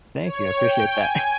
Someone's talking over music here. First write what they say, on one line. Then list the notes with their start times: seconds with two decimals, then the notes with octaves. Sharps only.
Thank you, I appreciate that.
0.23 C#5
0.57 G5
0.90 G#5